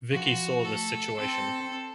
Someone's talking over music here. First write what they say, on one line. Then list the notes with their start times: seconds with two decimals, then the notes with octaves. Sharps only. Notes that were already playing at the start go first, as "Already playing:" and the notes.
Vicky saw this situation.
0.12 F3 F#4
0.65 A3 A4
1.17 C4 A4